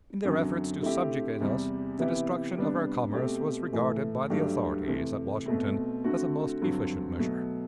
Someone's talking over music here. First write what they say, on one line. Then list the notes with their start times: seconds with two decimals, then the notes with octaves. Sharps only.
In their efforts to subjugate us, the destruction of our commerce was regarded by the authorities at Washington as a most efficient measure.
0.24 F#2 D3 F#3 C4
0.82 D3 A3 C4 E4 G4
1.40 E2 C3 G3
1.98 C3 E3 B3 E4 G4
2.56 C3 G3 B3 D4
3.14 B2 A3 C4 G4
3.73 A2 E3 A3
4.30 G2 F#3 A3 D4 G4
4.88 C3 E3 A3
5.46 B2 A3 C4
6.04 D3 A3 C4 F#4
6.62 G2 D3 F#3 C4
7.19 B2 F#3 A3